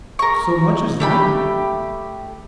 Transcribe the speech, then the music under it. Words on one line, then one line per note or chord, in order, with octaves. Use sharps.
"So much as that?"
A#4 C#6
A3 G4 B5